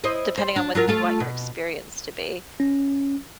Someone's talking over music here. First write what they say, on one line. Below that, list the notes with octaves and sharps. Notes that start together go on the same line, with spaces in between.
depending on what you want your experience to be.
E4 C5 D#5
C5
D4
F#3 F4 A#4
A3 F4 A4
B2
C#4